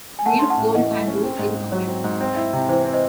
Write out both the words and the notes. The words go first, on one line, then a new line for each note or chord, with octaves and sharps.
James Gold Andrews in command.
G#5
A3 F#5 A5
C#4 C6
F#5 A5
A2
E3 D#5 F#5
A3
C#4
C4
G#2
G#2
F#3 C#5
C4
G#2
C4
E4
C3
E3 C5
C4
C5 D#5